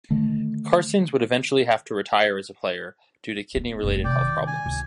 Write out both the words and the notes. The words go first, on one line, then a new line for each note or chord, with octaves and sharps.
Carstens would eventually have to retire as a player due to kidney-related health problems.
D3 D#3 A3
B3
F1 A#1
C3 D#3 D5 G5
G#5
C#2